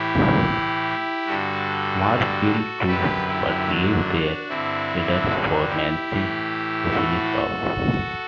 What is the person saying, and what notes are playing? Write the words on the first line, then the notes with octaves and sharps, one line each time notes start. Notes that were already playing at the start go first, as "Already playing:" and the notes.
Marv kills two but leaves their leader for Nancy to finish off.
Already playing: A2 E3 E4 G4
G2 D3 F#4 A4
F#2 D3 G4 B4
E4 G4
D4 F#4
G2 D3 C4 E4
D4 F#4
E4 G4
A2 E3
F#4 A4